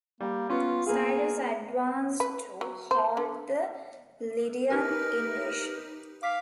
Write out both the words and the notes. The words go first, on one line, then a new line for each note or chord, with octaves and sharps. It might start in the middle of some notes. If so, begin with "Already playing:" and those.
Cyrus advanced to halt the Lydian invasion.
G3 A#3
B3 C#4 F4
A#3 B3 G#4 F5
B4
F#3
C5
D3
D#4 G4 A#4 B4
F5 D6 B6